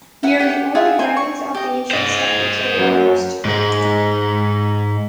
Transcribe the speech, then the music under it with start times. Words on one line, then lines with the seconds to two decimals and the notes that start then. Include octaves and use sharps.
Nearly all the writings of the ancient skeptics are now lost.
0.23 E4 B4 F#5
0.39 G4 F#5
0.75 F4 G#4 E5 F#5
0.99 D#4 E4 C5 G#5
1.17 C#6
1.55 G4 D#5
1.91 C5 D#5
2.77 F#2 F#3
3.45 G#2 G#3